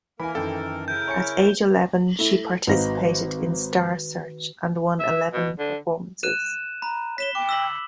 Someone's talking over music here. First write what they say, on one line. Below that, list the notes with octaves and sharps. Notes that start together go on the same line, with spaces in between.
At age eleven she participated in "Star Search" and won eleven performances.
E3 A#3 E4 A#4 G#5 B5
F#2 D#3 E3 A4 G5
C#3 E4 A#4 G6
C#5 G#5 C#7
A3 E4
G#1 D#3 D#4 F#4 B4 A#6
E5
B2
D3
F#6 D#7 E7
A#5 B5
C#5 B6 E7 G7
G5 D6
E6 B6 F#7